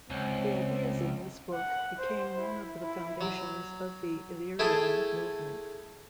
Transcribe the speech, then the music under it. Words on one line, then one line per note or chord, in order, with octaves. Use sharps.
The ideas in this book became one of the foundations of the Illyrian Movement.
C#2 C4
F#5
C5
E4
E4
F#3
A3 E4 G#4 G5 A5